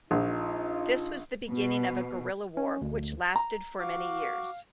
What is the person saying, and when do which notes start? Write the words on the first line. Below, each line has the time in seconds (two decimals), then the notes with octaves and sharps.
This was the beginning of a guerrilla war which lasted for many years.
0.11 A#1 D#4 F4
1.48 B2
2.57 C#4
2.81 D2
3.36 A#5
3.79 F#4 F5 D6